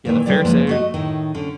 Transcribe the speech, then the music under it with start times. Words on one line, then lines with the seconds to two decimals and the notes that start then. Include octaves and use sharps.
Yeah, the fair sar
0.05 A#2 D#3 E3 A#3
0.26 D3 G3 E4 B4 D5
0.45 F3 G#3 A#3 B3 E4
0.67 A3 F#4 D#5
0.94 A2 D#3 D#4 E4
1.35 D3 C#4